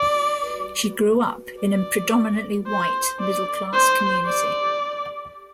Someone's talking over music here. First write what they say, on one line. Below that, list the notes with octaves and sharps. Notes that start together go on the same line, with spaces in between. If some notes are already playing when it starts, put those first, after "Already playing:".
She grew up in a predominantly white, middle-class community.
Already playing: D5
D5
C5
D5
C5
D5